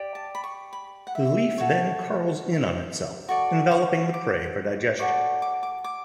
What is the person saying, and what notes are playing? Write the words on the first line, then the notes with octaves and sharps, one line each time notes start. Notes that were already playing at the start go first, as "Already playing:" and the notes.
The leaf then curls in on itself, enveloping the prey for digestion.
Already playing: G4 D5
A5
B5
C#6
B5
F#5
E5
F#4 A4 C#5
F#4 A4 D5 C#6
C#6
D6
F#4 A4 D5 C#6
D6
D6
D6